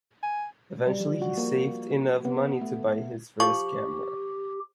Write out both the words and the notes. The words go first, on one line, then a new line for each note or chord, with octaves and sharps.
Eventually, he saved enough money to buy his first camera.
G#5
G3
F3
F#4
A#3
B3
A3
F3 G4 C#6